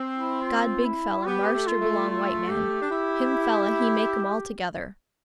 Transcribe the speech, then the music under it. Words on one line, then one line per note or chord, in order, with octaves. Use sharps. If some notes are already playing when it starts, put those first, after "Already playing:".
God big fella marster belong white man, him fella He make ’m altogether.
Already playing: C4
E4
F4
E4
B3 G4
A3
F4
A3
F4
G4
D4
E4